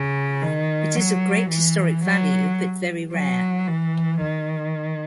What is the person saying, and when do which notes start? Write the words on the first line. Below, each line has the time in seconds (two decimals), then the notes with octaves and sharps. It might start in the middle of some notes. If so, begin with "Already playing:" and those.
It is of great historic value, but very rare.
Already playing: C#3
0.42 D#3
0.96 F#3
1.50 E3
2.04 F#3
3.13 F#3
3.67 E3
4.21 D#3